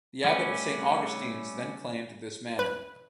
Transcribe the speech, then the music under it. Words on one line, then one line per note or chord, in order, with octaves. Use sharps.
The abbot of Saint Augustine's then claimed this manor.
G3 A3 C#4 B4
B4